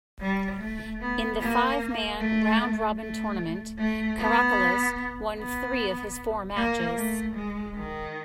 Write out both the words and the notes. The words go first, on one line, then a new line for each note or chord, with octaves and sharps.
In the five-man, round-robin tournament, Karakalos won three of his four matches.
G3
A3
B3
A#3
A3
A3
A3
B3
B3
A#3
A3
G#3
D#3